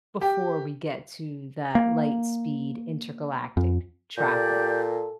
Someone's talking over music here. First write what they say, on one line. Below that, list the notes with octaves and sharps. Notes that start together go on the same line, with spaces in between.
before we get to that light speed intergalactic travel.
G4
A#3
F2
A#2 G4 A4 D5 G6